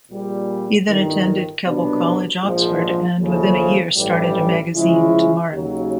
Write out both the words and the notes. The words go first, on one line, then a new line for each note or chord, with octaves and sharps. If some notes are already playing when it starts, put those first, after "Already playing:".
He then attended Keble College, Oxford, and within a year started a magazine "Tomorrow".
A#1 A#2 G3
G1 G2 D#3
C2 B2 F#3 B3 D4
A#1 G#2 F3
D#2 C#3 F3 A3
A1 G2 E3 G3
C#3 F3 G#3 C#4 E4
D#2 C#3 F#3